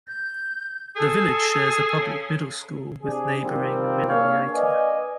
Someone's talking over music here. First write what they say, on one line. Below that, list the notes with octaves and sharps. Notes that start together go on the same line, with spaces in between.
The village shares a public middle school with neighboring Minamiaika.
G6
G#4 A4
C#3
C3 D4 G#4
D#3 F3 G3 A#3 C4
A#3 D4 G#4 C#5 F5
B4 D5 D#5 G#5